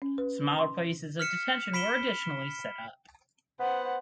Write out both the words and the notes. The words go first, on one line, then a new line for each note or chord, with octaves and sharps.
Smaller places of detention were additionally set up.
C#4
B4
C6
F6 B6 C#7 E7
B5 B6 D7 E7 G7
B3 C5 F#5